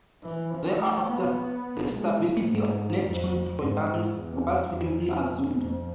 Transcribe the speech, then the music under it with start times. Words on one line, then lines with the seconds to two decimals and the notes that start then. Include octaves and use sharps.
Thereafter, the stability of Neptune trojans was simply assumed.
0.24 E3
0.51 F3
0.79 A3
1.07 B3
1.92 G#3
2.20 A2
2.48 G#2
3.03 F2
3.61 G#2
3.87 G#2
4.17 E2
4.45 F2
4.72 F2
5.28 F2
5.56 F2